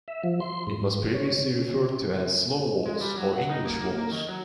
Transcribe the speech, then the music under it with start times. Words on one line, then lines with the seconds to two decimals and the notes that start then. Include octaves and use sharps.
It was previously referred to as Slow Waltz or English Waltz.
0.08 E5
0.24 F3
0.40 C6
0.67 G#2
1.14 C#5
1.39 C#3
2.86 G#3
3.01 G3
3.16 F#3
3.36 F#5
3.50 D#4
3.65 A#3
3.80 A#3
3.98 A#3
4.12 D#3
4.29 F#3